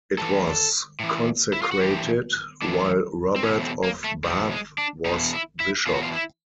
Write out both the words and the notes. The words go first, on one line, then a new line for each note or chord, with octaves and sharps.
It was consecrated while Robert of Bath was bishop.
A2 E3 A4
A2 E3
E4
F4
F#4
A2 E3 G4
A2 E3 D4
C4
E2 B2 C#4
C4
A#3
A3
E2 B2 G3
G#3
D4
E2 B2 D#4
E4
E4
E2 B2 F4
F#4
F4
E4